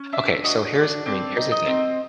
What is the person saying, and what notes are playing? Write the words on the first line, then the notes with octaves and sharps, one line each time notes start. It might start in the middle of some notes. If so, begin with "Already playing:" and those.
Okay. So here's I mean, here's the thing.
Already playing: C#4
D4 E5
F#4 D#5
D4 D5
C4 D5
D#4
D#5
C4